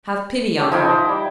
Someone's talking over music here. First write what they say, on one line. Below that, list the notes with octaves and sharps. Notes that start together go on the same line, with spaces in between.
Have pity on her.
G4 A4 C#5
F2 F3 D#4 E4 G5
F3 C5
G3